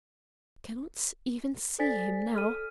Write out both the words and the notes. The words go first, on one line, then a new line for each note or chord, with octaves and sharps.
I cannot even see him now.
A4 C5 D5 G#5 A6 B6
A4 F6 D#7